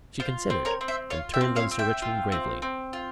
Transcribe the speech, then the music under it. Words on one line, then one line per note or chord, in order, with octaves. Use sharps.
She considered and turned on Sir Richmond gravely.
F4 C5
C4
A#4 C#5
C4
C5 E5
F4 C#5 F5
E5 G5
C4
C#5 F5
C4
E5 G5
F4
C4
C4
F4